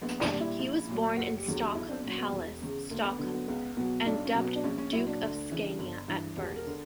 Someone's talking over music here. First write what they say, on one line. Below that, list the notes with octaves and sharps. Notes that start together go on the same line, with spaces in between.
He was born in Stockholm Palace, Stockholm, and dubbed Duke of Scania at birth.
A#1 B3
D4
A#2 G3
E4
A#1
A#2 F#3
F#1 F#4
G4
E2 D3 F#3
G4
B1 E4
D4
A#2 F#3 C#4
B3
E1
E2 C#3
D2 A#3
B3
D3 F#3 B3
B3
C#2 B3
B2 F#3 B3
B1 D4
C#4
B2 F#3
B3
D4
A#1 C#4
C#4
A#2 F#3 E4
D4
D2
C#3 E3
G1
G2 E3
E1 G4
A#4
D3